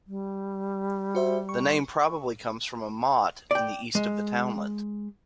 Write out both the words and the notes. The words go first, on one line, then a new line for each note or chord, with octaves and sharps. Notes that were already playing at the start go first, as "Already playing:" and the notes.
The name probably comes from a motte in the east of the townland.
G3
F#4 C5 E5
C#6
D5 G5
G#3